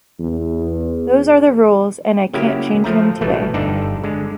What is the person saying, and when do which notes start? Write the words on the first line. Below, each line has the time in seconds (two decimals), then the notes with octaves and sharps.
Those are the rules and I can't change them today.
0.20 E2
2.34 C#3 F#3 A#3 E4 G4
2.84 F3 A3 A#5
3.21 A1 B2 E3 A3
3.54 G1 G2 D3 D#4 A4 D5
4.04 D3 G#3